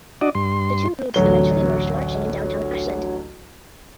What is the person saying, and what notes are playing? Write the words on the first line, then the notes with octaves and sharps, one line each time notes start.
The two groups eventually merged marching in downtown Ashland.
D4 F#4 D5 D#5
G2 C6
A1 D2 F#3 G7